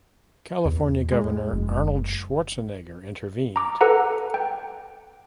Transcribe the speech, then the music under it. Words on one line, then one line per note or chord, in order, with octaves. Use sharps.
California governor Arnold Schwarzenegger intervened.
E2
G#3
F#1
A#5 D6
A4 B4 F#5 A#5
G5